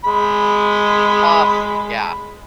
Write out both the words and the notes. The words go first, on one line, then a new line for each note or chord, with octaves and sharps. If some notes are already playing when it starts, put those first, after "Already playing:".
Ugh, yeah.
G#3 B5